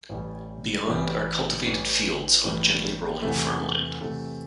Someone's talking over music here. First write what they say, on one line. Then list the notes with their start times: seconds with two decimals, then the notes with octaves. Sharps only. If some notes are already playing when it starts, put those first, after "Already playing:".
Beyond are cultivated fields on gently rolling farmland.
0.09 A1 A2 E3 G3
0.87 A1 A2 E3 G3
1.66 A1 A2 E3 G3
2.45 A1 A2 E3 G3
3.22 E2 C3 E3 A3
4.00 E2 C3 E3 A3